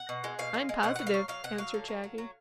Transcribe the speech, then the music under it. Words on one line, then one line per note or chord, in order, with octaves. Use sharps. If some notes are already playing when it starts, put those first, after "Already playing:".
"I'm positive," answered Shaggy.
Already playing: F#5
B2
G#3
B2 F5
G#3
G#3
B2 F#5
B2 F#5
F5
F#3
F#3 F5
B2 F#5
F#3 F5
D3
F#3
F#3
F#3